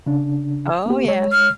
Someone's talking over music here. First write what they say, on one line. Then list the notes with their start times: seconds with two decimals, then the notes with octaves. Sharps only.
Oh, yeah.
0.06 C#3 D4
0.86 A#3 B3 G4
1.08 G#3 C#5
1.32 F6